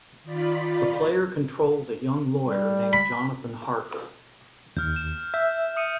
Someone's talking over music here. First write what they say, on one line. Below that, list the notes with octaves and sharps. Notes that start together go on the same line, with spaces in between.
The player controls a young lawyer named Jonathan Harker.
D#3 F4 D5 B5
G3
B5
D#2 F6 G6
E7
E5 G6
D#6 C#7 D#7